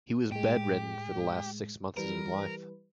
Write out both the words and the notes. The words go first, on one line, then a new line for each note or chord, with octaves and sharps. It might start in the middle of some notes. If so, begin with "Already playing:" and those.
He was bed-ridden for the last six months of his life.
A2 G#3 G4
E3 G3 A#4 B4